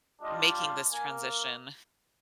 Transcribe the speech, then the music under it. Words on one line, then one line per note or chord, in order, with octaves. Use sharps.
"making this transition.
G3 D4 F4 D#5
F5
A#3 G#5